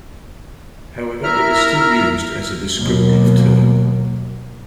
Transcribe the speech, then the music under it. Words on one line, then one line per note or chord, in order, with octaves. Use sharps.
However, it is still used as a descriptive term.
E4 A#4 E5 A#5 F6
D#2 B2 F#3 A#3